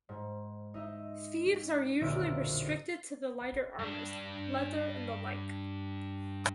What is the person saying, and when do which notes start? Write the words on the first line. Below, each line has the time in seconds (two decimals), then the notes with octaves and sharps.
Thieves are usually restricted to the lighter armors, leather and the like.
0.09 G#2
0.74 D#4 D#5 E5
2.01 F1 B1 A#2 D3 E5 D7
3.79 G2 D4